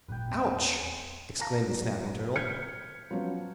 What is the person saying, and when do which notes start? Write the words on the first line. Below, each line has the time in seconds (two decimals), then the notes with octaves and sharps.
"Ouch!" exclaimed the Snapping Turtle.
0.08 G#1 A#2 G3 B4 G5
0.28 E2 B3 C4
0.49 C#3 G#4
1.39 F5 A5 A#5 A#6
1.67 F#3
2.36 F6 G6 G#6 B6 C#7
3.11 F3 F#3 B3 C#4